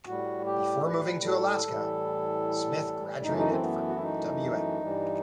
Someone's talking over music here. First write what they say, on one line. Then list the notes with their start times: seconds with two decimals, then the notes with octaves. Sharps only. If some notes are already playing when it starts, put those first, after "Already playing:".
Before moving to Alaska, Smith graduated from Wm.
0.06 A2 G3 F#4
0.46 G4
0.86 B4
1.25 A4
1.65 A2 E3 G3
3.23 F#2 E3 A3 D#4
3.38 D#4
3.51 C4
3.62 B3
3.88 F#4
3.96 E4
4.02 D#4
4.82 G2 E3 G3